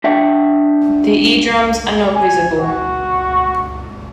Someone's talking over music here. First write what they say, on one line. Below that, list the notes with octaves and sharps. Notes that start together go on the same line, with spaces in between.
The eardrums are not visible.
D4 E5 F#5 G5
G#5
F#4